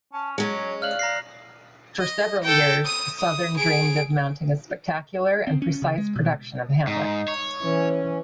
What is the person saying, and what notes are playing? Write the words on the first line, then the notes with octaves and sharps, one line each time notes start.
For several years, Sothern dreamed of mounting a spectacular and precise production of "Hamlet".
C#4 A5
F#3 G#3 C#4 C#5
D5 F5 F6 F#6 F#7
A#5 A#6 C7
D#5
A4 G5
D#6 D#7
D#6
G#4 D7
C4
C#4
C#3
G#3
B2
G#2 D#4
C#5
E3 C#4